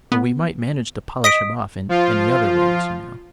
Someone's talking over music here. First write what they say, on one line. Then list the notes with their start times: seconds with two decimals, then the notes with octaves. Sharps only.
"Or we might manage to polish him off in any other way, you know."
0.12 B3
1.24 D#5 D#6 B6 D7
1.89 F3 F4